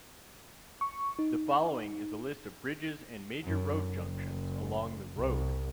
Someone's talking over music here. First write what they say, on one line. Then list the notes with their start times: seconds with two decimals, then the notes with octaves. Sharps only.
The following is a list of bridges and major road junctions along the road.
0.81 C#6
1.19 D#4
3.43 F#2
3.92 F#1
5.17 C2